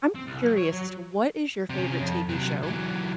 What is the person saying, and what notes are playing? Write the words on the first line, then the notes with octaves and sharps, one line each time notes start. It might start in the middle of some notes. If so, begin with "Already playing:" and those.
I'm curious as to what is your favorite TV show?
C4
C2
F#3
C#5
F#3
C3 C#4
F2
C3 F#3
E3 F#3